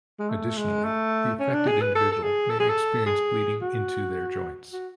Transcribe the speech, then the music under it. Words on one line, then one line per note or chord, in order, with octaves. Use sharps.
Additionally, the affected individual may experience bleeding into their joints.
G#3
A3
G#3
A3
C#4
D4
G#4
B4
A4
A4
G#4
A4
G#4
A4
G#4
F#4
F#4